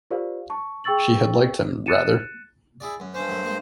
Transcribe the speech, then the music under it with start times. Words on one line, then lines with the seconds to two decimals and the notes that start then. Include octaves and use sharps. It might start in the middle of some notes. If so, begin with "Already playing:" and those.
She had liked him — rather.
0.11 F4 G4 A#4 C5 D5 F5
0.50 A5 C#6
0.84 G#4 G5 C#6 E6 A6 F#7
1.86 F#6 A6 C#7 D#7 E7
2.80 E4 G#4 D5
3.00 F#2
3.14 G2 C#4 C5
3.28 F#2 A3
3.43 G#3 A#3